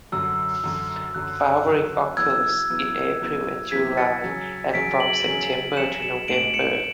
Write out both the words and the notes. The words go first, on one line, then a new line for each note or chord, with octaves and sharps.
Flowering occurs in April and July and from September to November.
F#2 D3 F#3 E6
F#2 D3 F#3
F#2 D3 F#3 F#6
F#2 D3 F#3
C#3 F#3 B3 E4 E6 G#6
C#3 F#3 B3 E4
C#3 F#3 B3 E4
C#3 F#3 B3 E4 G#6 B6
A6 C#7
C#3 F#3 C#4 G#4
C#3 F#3 C#4 G#4 B6 D7
D7 F#7
C#3 F#3 C#4 G#4
C#3 F#3 C#4 G#4 C#7 E7
C#7 E7
A2 G#3 D4 F#4 D7 F#7
C#7 E7